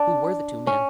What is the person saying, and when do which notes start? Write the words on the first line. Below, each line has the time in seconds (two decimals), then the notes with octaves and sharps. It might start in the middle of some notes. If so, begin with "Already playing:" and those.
"Who were the two men?"
Already playing: D4
0.67 C#4